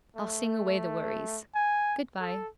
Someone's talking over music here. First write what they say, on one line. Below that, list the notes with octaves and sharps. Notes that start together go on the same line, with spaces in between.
I'll sing away the worries, Good-bye.'
A3
G#5
A4